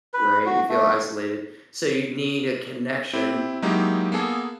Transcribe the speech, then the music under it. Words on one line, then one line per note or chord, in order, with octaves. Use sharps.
right, you feel isolated. So you need a connection.
B4
F#4
A3
C4 E4 G4
F#3 G#3 A#3 D#4 E4 G4
A#3 B3 G#4 A4